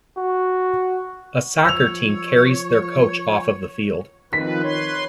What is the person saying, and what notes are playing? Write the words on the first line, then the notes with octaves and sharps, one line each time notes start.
A soccer team carries their coach off of the field.
F#4
F3 C#5 E6 F7
D#3 F3 C4 B4 B6
B4 C#5 C6